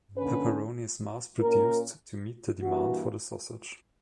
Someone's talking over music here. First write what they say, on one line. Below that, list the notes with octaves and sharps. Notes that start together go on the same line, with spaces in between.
Pepperoni is mass-produced to meet the demand for the sausage.
D3 A#3 C#4 B4
A#2 A#3 C#4 A#4
G2 E3 A#3 F#4